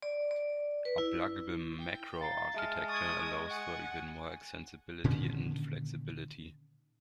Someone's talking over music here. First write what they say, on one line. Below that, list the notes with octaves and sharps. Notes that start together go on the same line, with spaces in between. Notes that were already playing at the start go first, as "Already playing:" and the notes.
A pluggable macro architecture allows for even more extensibility and flexibility.
D5
D5
B4
E4
G5
F5 A#5 A6 C7
G#3 E5 A5 F6
C#6 D#6 G#6 A6
F#5 G#5
A#2 D3 D#3 C#4